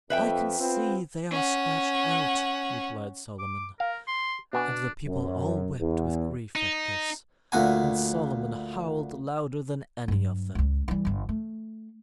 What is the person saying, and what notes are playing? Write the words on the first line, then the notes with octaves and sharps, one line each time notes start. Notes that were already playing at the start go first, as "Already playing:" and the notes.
"I can see they are scratched out!" replied Solomon; and the people all wept with grief at this, and Solomon howled louder than any of them.
F2 B4 E5 G5
B3 C4 F4
C#4 F#5
D6
A#4 F5
C6
B2 B3 D4 G#5
F#2
E2
D#4
D2 A#2 F#4 G#5
G2 F#3
E1 C#2
E3 G3
G1 D3
A3